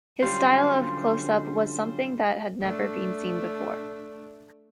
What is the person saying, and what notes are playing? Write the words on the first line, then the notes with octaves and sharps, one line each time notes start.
His style of close-up was something that had never been seen before.
D3 F#3 G3 C#4 F4 C5
A3 D4